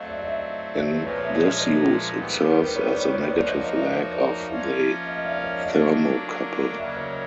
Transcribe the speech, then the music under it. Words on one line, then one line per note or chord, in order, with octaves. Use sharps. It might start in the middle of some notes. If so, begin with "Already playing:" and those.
In this use, it serves as the negative leg of the thermocouple.
Already playing: F#3 A3 C4 D#5 F5
D5 E5
D#5
D5 E5
C5 D5
A#2 F3 G#3 B4 C#5
D5 E5
C#5 D#5
C5 D5
D#3 G3 B3
A#4
B4
C5
B4 C#5
D5
B4 C#5
B4 C#5
F3 A#3 D#4 F#4 C5 D5
C#5 D#5
D#5 F5
D5 E5
D5
C#5
C5 D5
F5
F3 A#3 C#4 F4 D5 E5
D#5 F5
D#5
D5 E5
D5
C#5 D#5
D3 F#3 A#3 D4 D#5 F5
C#3 F#3 A#3 D5 E5
C#5 D#5